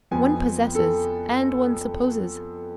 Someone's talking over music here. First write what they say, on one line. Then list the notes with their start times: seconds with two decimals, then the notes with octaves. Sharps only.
One possesses and one supposes.
0.11 F2 F3 B3 G#5
0.75 A4